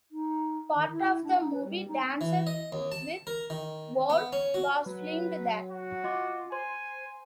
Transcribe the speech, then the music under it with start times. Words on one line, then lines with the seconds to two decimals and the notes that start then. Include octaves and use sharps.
Part of the movie "Dances with Wolves" was filmed there.
0.11 D#4
0.75 D#3
0.90 E4
1.23 D4
1.39 D#4
1.52 B4
1.64 G3
1.87 D#4
2.21 E3
2.47 D#5
2.72 D#2
2.92 A5
3.27 A#4
3.50 D#3
4.10 B3
4.33 C#4
4.54 F#4
4.86 F#3 B4
5.71 F#4
6.04 F4 D#5 C6 D6
6.52 C5 G#5 C6